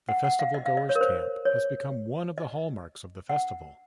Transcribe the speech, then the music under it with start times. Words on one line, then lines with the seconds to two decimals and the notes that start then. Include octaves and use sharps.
The festivalgoers' camp has become one of the hallmarks of the festival.
0.09 F#5
0.24 F#5
0.39 F5
0.54 D#5
0.66 F5
0.77 D#5
0.89 C#5
0.95 A#4
1.01 C5
1.45 C#5
2.38 D#5
3.29 F#5